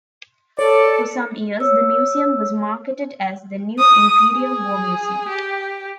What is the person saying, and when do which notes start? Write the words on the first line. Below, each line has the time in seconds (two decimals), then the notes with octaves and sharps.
For some years the museum was marketed as 'The "new" Imperial War Museum'.
0.59 A4 C#5 D5
1.60 C#5 E6
3.79 D#6
4.36 G#4
5.29 G4